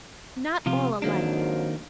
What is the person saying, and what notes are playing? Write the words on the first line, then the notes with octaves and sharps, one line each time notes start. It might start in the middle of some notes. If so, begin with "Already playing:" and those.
'Not all alike.
C3 F3 F4
F2 G#2 D#3 F#3 A#3 D4